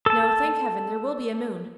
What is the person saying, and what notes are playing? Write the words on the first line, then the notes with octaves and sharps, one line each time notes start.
No, thank heaven, there will be a moon.
A4 A5